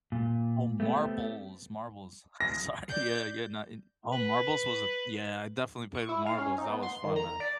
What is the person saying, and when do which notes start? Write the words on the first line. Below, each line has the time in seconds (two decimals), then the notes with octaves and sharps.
Oh, marbles, marbles, sorry, yeah, yeah, not oh, marbles was a yeah, I definitely played with marbles, that was fun, man.
0.12 A#2
0.80 A3 B3 C4 G4
2.40 A#6
2.89 D5 G6
4.12 B4
5.95 C#6
6.09 E4
6.26 F5
6.38 C#4
6.58 D#4
6.69 B3
6.83 C6
7.04 D#3
7.16 A#5
7.40 D5